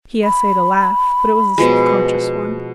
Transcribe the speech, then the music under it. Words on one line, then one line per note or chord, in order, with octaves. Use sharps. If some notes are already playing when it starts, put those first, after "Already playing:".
He essayed a laugh, but it was a self-conscious one.
B5
B2 F3 G#3